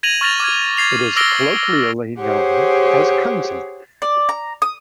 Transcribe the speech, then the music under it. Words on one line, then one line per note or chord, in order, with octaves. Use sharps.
It is colloquially known as "Kungsan".
G#6 A#6 D#7 F7 F#7
C#6 F6 A6 A#6 F7
D6 F6 G#6
G#6 A6 C7 F7
D6 E6 F6 A#6 D7 G7
G4 G#4 C5 C#5 F#5
D5
A#5
D#6